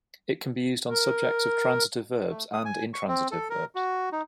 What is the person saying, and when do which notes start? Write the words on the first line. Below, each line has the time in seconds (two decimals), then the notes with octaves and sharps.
It can be used on subjects of transitive verbs and intransitive verbs.
0.89 A#4
2.29 A3
2.53 D#6
2.65 G#5
2.94 C#6
3.08 C4
3.31 A4
3.50 A#4
3.75 F#4
4.12 D#4